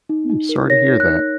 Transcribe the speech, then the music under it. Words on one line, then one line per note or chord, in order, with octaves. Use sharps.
I'm sorry to hear that.
D#4
D#4
A#4
C#5 A#6
D#4
F#6
D#4